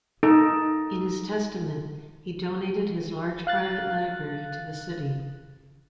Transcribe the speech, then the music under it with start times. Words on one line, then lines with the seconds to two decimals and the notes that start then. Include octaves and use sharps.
In his testament, he donated his large private library to the city.
0.23 D#4 A4
3.47 F5 F#6 A6